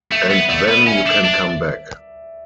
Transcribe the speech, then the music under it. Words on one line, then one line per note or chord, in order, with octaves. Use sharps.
And then you can come back.
A3 E5
B3
A3 D5
B3
C#4 E5
D4
D4